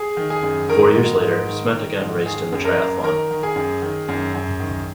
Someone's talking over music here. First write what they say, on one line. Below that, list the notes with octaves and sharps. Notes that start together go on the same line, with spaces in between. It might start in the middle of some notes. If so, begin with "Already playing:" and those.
Four years later, Smet again raced in the triathlon.
Already playing: G#4 G#5
D#3
G#4 G#5
F#2
D#3 A#4 A#5
G#2
G#2
D#3
D#3
G#2
D#3 G#4 G#5
F#2
A#4 A#5
F#2
D#3 A#4 A#5
D#3
G#4 G#5
F#2
D#3
F#2
F#2
D#3